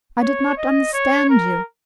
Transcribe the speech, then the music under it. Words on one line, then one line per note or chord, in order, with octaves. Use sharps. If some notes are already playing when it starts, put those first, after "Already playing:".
I did not understand you.
C#5
D#5
C#5
A#4